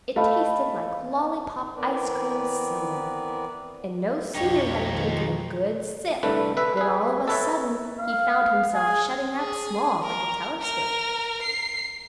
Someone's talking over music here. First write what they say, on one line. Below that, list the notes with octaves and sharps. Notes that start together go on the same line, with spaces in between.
It tasted like lollypop ice cream soda, and no sooner had he taken a good sip than all of a sudden he found himself shutting up small, like a telescope.
A3 D#5 F5 B5
E3 B3 C4 A#4 B4 D5
B1 F2 D4 D#4 G4 C#5
D#3 F3 G#3
C2 D3 A3 B4
B4 E5
G#4 B4
A4 B4 C#5 E5
F5
G#4
G#4
A#4
A#4
C7